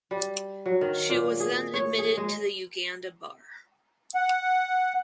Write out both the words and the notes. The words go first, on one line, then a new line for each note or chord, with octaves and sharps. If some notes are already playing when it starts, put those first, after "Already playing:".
She was then admitted to the Uganda Bar.
G3
F#3
D#3
A#2
G#4
C#5
G#4
G#3
F#5